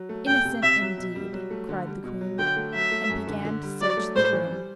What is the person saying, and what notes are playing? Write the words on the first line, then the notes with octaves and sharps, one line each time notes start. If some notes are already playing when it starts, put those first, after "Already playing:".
"Innocent, indeed!" cried the queen, and began to search the room.
Already playing: F#3
A3
E2 G5
C3
C3 E5
F#3
B2
G3
F#3
A3
D3
G3
B2
F#3
D3 G5
A3
F#3 E5
A3
F#2
D3
D3
G3
F#3 D5
A3
A2 C5
E3
G3